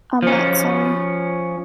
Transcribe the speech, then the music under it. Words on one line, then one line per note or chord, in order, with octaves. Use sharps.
I’m not sorry.
F3 C#4